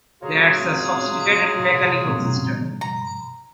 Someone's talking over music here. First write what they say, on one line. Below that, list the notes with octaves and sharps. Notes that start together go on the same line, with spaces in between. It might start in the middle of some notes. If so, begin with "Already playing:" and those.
That's a sophisticated mechanical system!
F4 F#4 G#4 C#5 A#5
A#5